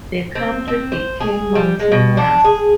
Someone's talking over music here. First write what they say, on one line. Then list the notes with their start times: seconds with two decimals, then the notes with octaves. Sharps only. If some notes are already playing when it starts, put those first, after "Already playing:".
The country became mountainous.
0.35 C4
0.68 C4
0.92 C5
1.20 G#4
1.55 G3
1.80 G#3
1.92 B2
2.17 D4
2.44 G#4